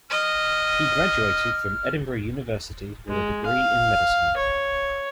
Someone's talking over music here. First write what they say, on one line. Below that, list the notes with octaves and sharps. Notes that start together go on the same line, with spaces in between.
He graduated from Edinburgh University with a degree in medicine.
D#5 F6
G#3
F5
C#5